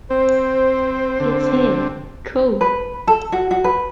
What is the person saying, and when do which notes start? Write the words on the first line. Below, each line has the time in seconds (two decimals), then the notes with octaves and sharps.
It’s here. Cool.
0.10 C4 C5
1.20 D3 C4
2.61 B4
3.07 A4
3.32 F#4
3.51 F#4
3.64 B4